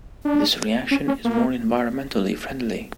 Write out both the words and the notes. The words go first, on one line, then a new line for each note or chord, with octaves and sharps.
This reaction is more environmentally friendly.
D4
C#4
C#4
A#3